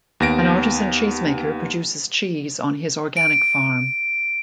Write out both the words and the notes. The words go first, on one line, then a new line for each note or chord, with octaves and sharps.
An artisan cheesemaker produces cheese on his organic farm.
D#2 B3 A#6 D7
D7